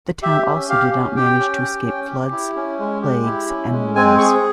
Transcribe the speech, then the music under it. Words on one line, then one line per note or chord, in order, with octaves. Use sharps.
The town also did not manage to escape floods, plagues and wars.
G4 E5
C#4
G4 F5
C#4
G4 G5
C#4
G4
C#4
G4
E4
C#4
G#3
G4
E4
C#4
G#3
C4 G#5
G#4 C#6